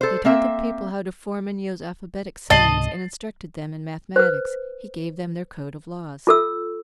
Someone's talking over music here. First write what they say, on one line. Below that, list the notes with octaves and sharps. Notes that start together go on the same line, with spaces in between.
He taught the people how to form and use alphabetic signs and instructed them in mathematics: he gave them their code of laws.
A4 C5
A#3 C4 E5
C#2 G#2 C3 D#5 A5 A6 C7 F#7
B4 C5
F4 A4 E6